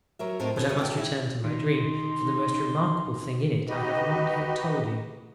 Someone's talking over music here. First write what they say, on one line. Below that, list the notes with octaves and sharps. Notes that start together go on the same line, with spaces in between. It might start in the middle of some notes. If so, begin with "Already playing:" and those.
But I must return to my dream; for the most remarkable thing in it I have not yet told you.
F#3 A#4 E5
F2 A2 C4 D#4 A#4
B2 C4 C#4 A4
F#2 F#3 G3 C#4 B4 E5
B2 D#3 E4 G5
E4
D#3 D#4 C6
D#4 F#4 G4 B4 D#5